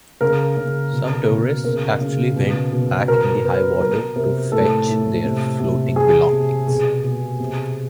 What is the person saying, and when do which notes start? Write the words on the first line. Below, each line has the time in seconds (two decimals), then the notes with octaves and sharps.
Some tourists actually went back in the high water to fetch their floating belongings.
0.21 C#3 A#4
0.57 C#3
0.93 B2
1.28 B2
1.64 C#3 A#4
2.01 C#3
2.36 B2
2.72 B2
3.08 B2 A#4
3.44 B2 B4
3.80 F#3 A#4
4.16 C3 A#4
4.52 A2 A4
4.88 A2
5.24 C3
5.60 C3
5.96 C3 G#4
6.32 C3
6.68 B2 G#4
7.04 B2
7.39 C3